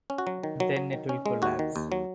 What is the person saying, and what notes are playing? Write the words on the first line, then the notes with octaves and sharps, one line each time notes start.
Then it will collapse.
C#4
F#4
F#3
D#3
F#3
F#3
D#3
C#4
G#3
D#2 F#4
D#3
D#2
F#3